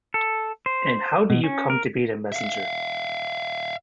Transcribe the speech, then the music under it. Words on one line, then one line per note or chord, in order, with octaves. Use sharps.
And how do you come to be the messenger?
A4
C5
B2
C#4
A#4
E5 F5